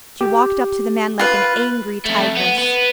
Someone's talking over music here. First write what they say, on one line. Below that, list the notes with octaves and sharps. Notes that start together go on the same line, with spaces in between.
She walked up to the man like an angry tigress.
G4
F4 B4
F2 A3
B3
B3